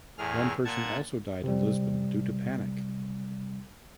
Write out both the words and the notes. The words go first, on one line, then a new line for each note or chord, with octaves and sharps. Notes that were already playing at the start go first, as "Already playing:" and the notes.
One person also died in Lisbon due to panic.
E2 A2 G#4 F6
A#2 F#5 A5 G#6
C3 G3